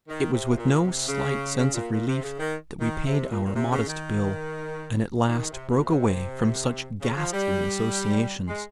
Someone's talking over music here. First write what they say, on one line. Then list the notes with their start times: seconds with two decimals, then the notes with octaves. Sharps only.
It was with no slight sense of relief that we paid our modest bill and at last broke away from such ghastly associations.
0.08 D#3
0.33 C3
0.57 A#2
0.83 C3
1.08 C#3
1.57 C#3
1.73 A#2
1.90 A#2
2.07 C3
2.22 C#3
2.39 D#3
2.80 D#3
3.05 C3
3.30 A#2
3.44 A#2
3.55 C3
3.71 C#3
3.87 D#3
5.27 D#3
5.52 C3
5.68 A#2
5.85 C3
7.01 C#3
7.16 F3
7.32 G3
8.48 G#3